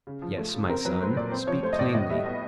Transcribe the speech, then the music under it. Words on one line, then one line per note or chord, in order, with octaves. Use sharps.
"Yes, my son, speak plainly."
C#3
F3
A3
C#3
C4 A#4
F#3 B4
A3 C5
A#2 D5
C4 C5
F3 C#5
A3 C5
D#5
A2 D5
B2 D#5
G3 E5
B3 D#5